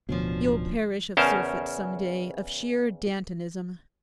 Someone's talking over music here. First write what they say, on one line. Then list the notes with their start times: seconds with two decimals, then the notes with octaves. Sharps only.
You'll perish of surfeit some day, of sheer Dantonism.
0.09 D1 D2 B2 F3 C#4 D4
1.17 E2 C#3 C#4 A#4 C5 A5